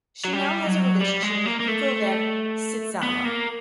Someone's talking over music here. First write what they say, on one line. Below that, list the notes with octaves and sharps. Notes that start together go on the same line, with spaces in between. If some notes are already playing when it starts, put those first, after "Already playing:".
She now has a relationship with Pico van Sytzama.
F#3
G3
F#3
G3
G#3
A#3
A#3
A3
B3
A#3